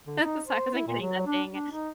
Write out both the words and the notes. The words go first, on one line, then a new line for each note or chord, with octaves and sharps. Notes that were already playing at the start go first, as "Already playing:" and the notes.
so I wasn't getting nothing.
D3
D#4
C5
E4
A#2
F#3
D4
D4
D#4